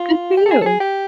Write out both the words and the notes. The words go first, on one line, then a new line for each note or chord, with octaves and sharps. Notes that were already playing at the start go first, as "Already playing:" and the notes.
Good for you!
Already playing: F4
G4
A4
G#4
A4
G#4
G4